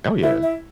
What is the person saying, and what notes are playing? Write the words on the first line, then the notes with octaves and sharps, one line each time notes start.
Oh, yeah.
E4 E5
E5